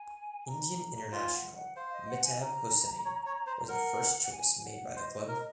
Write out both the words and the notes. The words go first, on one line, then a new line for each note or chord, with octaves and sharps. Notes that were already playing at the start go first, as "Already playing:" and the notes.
Indian international Mehtab Hossain was the first choice made by the club.
Already playing: G#5
G#5
A#5
F4 G#5
F#5
F#5
C5 F5
D#5
F#5
G#5
A#5
C#5
C#5
C5
A#4 F#5
G#5
F#5
C5 D#5
A#4